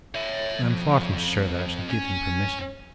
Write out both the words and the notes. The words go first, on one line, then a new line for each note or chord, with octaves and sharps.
I am far from sure that I shall give him permission.
C#5 E5
F2
C#4